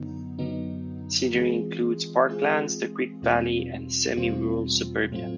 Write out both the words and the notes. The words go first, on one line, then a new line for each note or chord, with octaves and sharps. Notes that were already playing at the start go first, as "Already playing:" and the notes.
Scenery includes park lands, the creek valley, and semi-rural suburbia.
Already playing: F#2 D3 F#3 B3 D#4
F#2 D3 F#3 B3 D#4
E3 G#3 C4 F4 G#4
E3 G#3 C4 F4 G#4
E2 B2 G3 C4 F4
E2 B2 G3 C4 F4
A2 F#3 A3 C4 F4